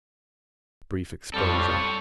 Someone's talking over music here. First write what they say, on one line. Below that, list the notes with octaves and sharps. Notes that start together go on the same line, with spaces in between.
Brief exposure.
F2 G3 A4 C#5